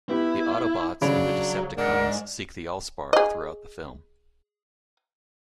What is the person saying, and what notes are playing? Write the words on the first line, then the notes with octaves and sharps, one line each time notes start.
The Autobots and the Decepticons seek the AllSpark throughout the film.
B3 E4 G4
C#3 F#3 D4 C#5 B5
G#2 D4 A#4 F#5
G#4 D#5